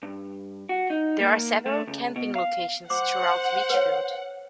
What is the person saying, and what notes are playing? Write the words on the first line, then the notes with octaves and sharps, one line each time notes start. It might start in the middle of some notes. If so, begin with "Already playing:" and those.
There are several camping locations throughout Litchfield.
G2
F#4
D#4
A#3
A3
C#2
B2
F5
C5 F#5 D6
B4 C#5